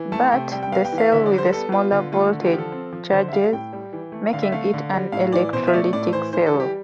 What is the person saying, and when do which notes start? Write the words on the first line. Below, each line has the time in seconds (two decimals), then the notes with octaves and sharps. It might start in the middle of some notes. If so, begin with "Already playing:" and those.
But, the cell with the smaller voltage charges, making it an electrolytic cell.
Already playing: E3
0.12 A3 A5
0.32 C3 G5
0.52 G3 G5
0.63 G5
0.72 B3 F5
0.85 G5
0.92 E3
0.98 F5
1.12 D3 E5
1.26 D5
1.32 G3
1.38 C5
1.47 B4
1.53 B3 A4
1.72 B3 F4
1.92 D3 F4
2.12 A3 F4
2.32 D3
2.41 F4
2.46 G4
2.53 F3
2.58 A4
2.72 C4
2.93 F3
3.12 D3 C5
3.28 E5
3.33 G3 F5
3.53 A2 G5
3.73 G3
3.93 E3
4.12 A3
4.33 D3 F5
4.42 E5
4.52 A3 F5
4.73 D3
4.93 G3
5.12 A2 F5
5.32 E3 D5
5.53 B2 C5
5.67 E5
5.73 A3 D5
5.93 A2 D5
6.13 E3 C5
6.33 E3 C5
6.46 A4
6.54 G3
6.60 G4